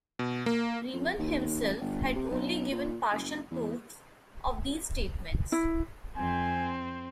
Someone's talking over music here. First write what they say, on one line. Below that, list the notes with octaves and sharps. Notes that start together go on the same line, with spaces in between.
Riemann himself had only given partial proofs of these statements.
B2
A#3
F2
D#2
A1
G1
C3
B1
A#2
F#1
E2
E4
F2 C4 C5 G#5